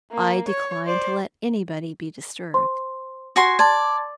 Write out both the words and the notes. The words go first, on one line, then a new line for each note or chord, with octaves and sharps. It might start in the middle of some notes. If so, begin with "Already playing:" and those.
I decline to let anybody be disturbed.
A#3
C#5
C5 D5
C5 C6
F#4 G#5 C6
D5 A5 C6 G#6